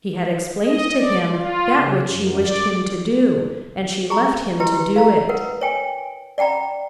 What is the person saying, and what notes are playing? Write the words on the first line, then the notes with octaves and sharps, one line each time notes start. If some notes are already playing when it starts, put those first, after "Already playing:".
She had explained to him that which she wished him to do, and she left him to do it.
D#5
D5
F4
C#3
F#2
D5
G#4 A#5 B5
E4 G4 B4 A#5
F5 A#5
A#4 B4 F#5
C#5 G5 G#5
D5 F#5 G5 A#5 B5